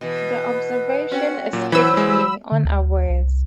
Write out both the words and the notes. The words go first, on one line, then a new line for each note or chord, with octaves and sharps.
The observation escaped me unawares.
B2 E3 B4
C4 C#4 F#4
A#2 F#3
E3 F#3 C5 B5 E6
E3 G#3
D3
D2
C2